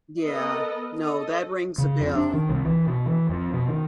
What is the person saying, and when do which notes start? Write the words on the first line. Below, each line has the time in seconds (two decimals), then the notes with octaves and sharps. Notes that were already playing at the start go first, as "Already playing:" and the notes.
Yeah. No, that rings a bell.
0.25 B3 A4 A#4 D#5
1.00 A4 D#5
1.78 C#3
2.01 F2
2.15 D4
2.33 D#3
2.49 C2
2.65 E3
2.87 B2
3.06 E3
3.29 F2
3.53 B2
3.69 D#3